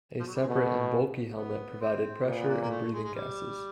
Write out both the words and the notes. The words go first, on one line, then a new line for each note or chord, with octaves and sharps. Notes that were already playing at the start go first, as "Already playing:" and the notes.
A separate, and bulky, helmet provided pressure and breathing gases.
F3
F#3
G3
G#3
B2 A3
B3
C4
A#2 B3
B3
A#3
A#3
A3
G#3
G#3
G3